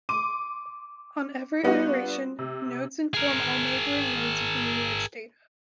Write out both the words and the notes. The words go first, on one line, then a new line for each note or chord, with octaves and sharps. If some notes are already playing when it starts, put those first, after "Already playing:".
On every iteration, nodes inform all neighboring nodes of the new edge data.
C6 D6 D#7
G3 B3 D4 F4 F#4
C3
G#4 A#4